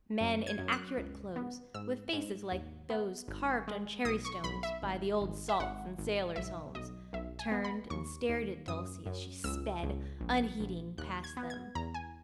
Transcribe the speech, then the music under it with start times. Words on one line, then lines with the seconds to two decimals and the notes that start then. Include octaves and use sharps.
Men in accurate clothes, with faces like those carved on cherry stones by the old salts in sailors' homes, turned and stared at Dulcie as she sped, unheeding, past them.
0.20 F#2
0.47 G#6
0.59 F#2
0.72 F#6
0.98 C#2
1.36 B3
1.74 G#2 E6
2.13 G#2
2.52 D#2
2.90 B3
3.28 G#1
3.68 G#3
4.05 B1 D#6
4.25 C#6
4.44 B1 B5
4.63 E5
4.83 G#1
5.21 G#1
5.49 E5
5.60 G#1 F#5
5.98 G#1
6.36 B1 E5
6.75 B1 D#5
7.13 B1 E5
7.39 G#5
7.52 B3
7.64 B5
7.90 D#2 C#6
8.29 D#2
8.68 F#2 D#6
9.06 F#2
9.44 C#2 E6
9.83 C#2
10.21 A#1
10.60 A#1
10.98 D#2 F#6
11.24 G#6
11.37 B3
11.50 G#6
11.75 E2 A#5
11.94 G#5